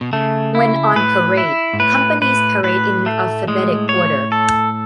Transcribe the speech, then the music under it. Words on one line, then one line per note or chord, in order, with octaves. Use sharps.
When on parade, companies parade in alphabetic order.
B2
C#3 A3
E4
A2 B4
E4
G#2
A2 B4
A2 B4
A2 B4
A3
A2 G#3
C#5
A4